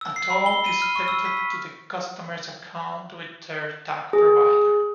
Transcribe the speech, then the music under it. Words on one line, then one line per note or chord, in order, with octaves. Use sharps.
A toll is debited to the customer's account with their tag provider.
E6
C7
B5
G7
D#7
F6
C#6
E6
B6
B6
G#4